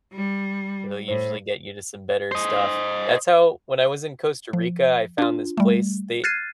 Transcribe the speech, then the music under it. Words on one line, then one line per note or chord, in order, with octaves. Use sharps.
They'll usually get you to some better stuff. That's how when I was in Costa Rica, I found this place, they
G3
A2 C5
C5 D#5
F3
D4 F4
G3 A3
F6 F#6 G#6 A6 C7 D#7